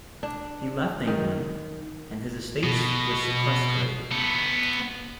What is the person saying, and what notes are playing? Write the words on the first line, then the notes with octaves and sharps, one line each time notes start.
He left England, and his estates were sequestrated.
D4
D#3
B2
B3 A4